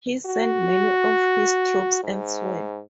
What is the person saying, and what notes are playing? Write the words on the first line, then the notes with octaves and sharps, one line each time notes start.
He sent many of his troops elsewhere.
F#4
G#2